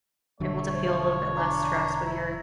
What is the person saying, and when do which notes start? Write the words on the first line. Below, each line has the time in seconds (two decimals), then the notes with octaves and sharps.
able to feel a little bit less stress with your
0.40 E1 D3 F#3 A3 C#5
0.74 C5
1.36 D4 A#5
2.05 E4